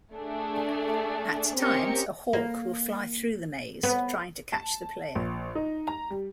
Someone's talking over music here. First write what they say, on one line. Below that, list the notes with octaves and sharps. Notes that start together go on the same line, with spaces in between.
At times, a hawk will fly through the maze, trying to catch the player.
A3 D4 G#4
C4 C#4 G4 A#4 D#5 C#7
A#3
B3
A5
A#1
D#4
A#5
G3